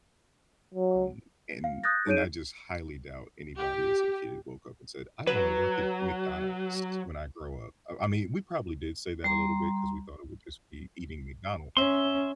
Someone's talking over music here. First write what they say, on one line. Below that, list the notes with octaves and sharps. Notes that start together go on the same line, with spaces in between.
Um, and and I just highly doubt anybody as a kid woke up and said, "I wanna work at McDonald's when I grow up," I I mean, we probably did say that a little bit 'cause we thought it would just be eating McDonald's,
F#3
F5
D#6 F#6 G6 A6 A#6
D#4 G#4 C#5 G6 D7 D#7
G4
F#3 B4
G3 A#5 C6
C#4 E5 C6